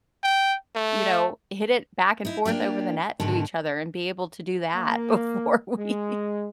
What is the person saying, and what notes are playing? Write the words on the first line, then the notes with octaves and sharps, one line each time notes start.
you know, hit it back and forth over the net to each other and be able to do that before we"
G5
A3
D#4 E4
A#3 D4 F4 G4
G#2 B2 D3 D#3 G4
A#3
G#3